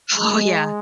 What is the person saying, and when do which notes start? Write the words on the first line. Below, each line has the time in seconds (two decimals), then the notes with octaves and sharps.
Oh yeah,
0.17 F#2 D#3 F#3 G#3